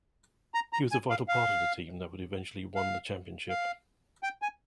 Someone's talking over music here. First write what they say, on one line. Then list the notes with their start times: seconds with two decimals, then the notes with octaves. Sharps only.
He was a vital part of the team that would eventually won the championship.
0.54 A#5
0.73 A#5
0.91 G#5
1.10 F5
1.28 F5
2.76 F5
3.49 F5
4.23 G5
4.42 G#5